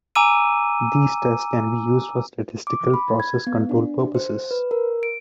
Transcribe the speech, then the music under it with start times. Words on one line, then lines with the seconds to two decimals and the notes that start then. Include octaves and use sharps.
These tests can be used for statistical process control purposes.
0.15 G#5 A#5 D6 E6 D#7
2.67 D6
2.94 B5
3.20 G#6
3.47 B3
3.69 D4
4.15 C5
4.51 B4
4.71 A#4
5.03 D7